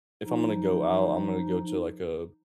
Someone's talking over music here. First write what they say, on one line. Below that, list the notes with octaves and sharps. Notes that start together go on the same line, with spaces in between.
if I'm gonna go out, I'm gonna go to, like, a
F3 D#4